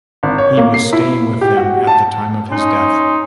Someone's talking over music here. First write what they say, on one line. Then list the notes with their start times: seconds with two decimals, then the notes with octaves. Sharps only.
He was staying with them at the time of his death.
0.23 G#1
0.38 C#5
0.57 A#3
0.74 C7
0.93 E4
1.41 G4
1.57 F#4
1.87 A5
2.48 C#4 D#4 C6